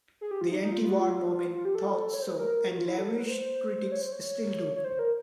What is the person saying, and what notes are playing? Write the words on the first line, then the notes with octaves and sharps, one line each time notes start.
The antiwar movement thought so, and Lewy's critics still do.
G#4
G4
F4
D#4
D#4
F4
F4
F#4
F4
F4
G4
A4
C#5
C5
B4
A#4
F#4
F4
E4
A4
A#4
B4
C5
C#5
C5
C#5
C#5
C5
A#4